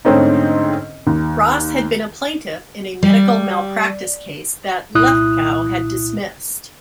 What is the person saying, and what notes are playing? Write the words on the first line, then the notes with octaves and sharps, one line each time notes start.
Ross had been a plaintiff in a medical malpractice case that Lefkow had dismissed.
G#2 D3 A3 C4 C#4 D#4
D#2
G3
C2 A#2 E4 D#6 F#6